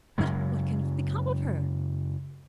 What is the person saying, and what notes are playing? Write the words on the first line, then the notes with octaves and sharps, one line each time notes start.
"But what can have become of her?"
F#2 C#3 F#3 G#3